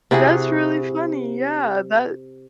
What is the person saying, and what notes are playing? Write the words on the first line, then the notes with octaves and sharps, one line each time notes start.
That's really funny, yeah, that
C3 E4 F#4 G#4